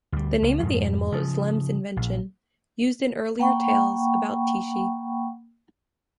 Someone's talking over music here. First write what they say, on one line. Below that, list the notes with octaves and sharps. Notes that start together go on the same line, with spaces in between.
The name of the animal is Lem's invention, used in earlier tales about Tichy.
D2 G3
C#2
F2 G#2 B2
C#3 F3
A#1
A#3 F#5 G5 B5 C#6